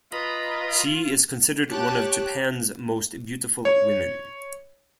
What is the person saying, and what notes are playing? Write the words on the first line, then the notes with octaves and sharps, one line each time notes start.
She is considered one of Japan's most beautiful women.
F4 B4 D#5 A#5 B5
G4 C#5 G5 A5 F#6
C#5